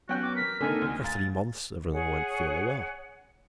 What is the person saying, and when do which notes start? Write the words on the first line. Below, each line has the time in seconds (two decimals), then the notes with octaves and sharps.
For three months everything went fairly well.
0.09 F#3 B3 C#4 F#4 G5 F#6
0.22 D6
0.35 A#4 B6
0.61 D3 D#3 A#3 C4 A4 G#5
0.81 D2
1.04 F5 G#5 A#5 A6
1.92 G#4 C#5 F#5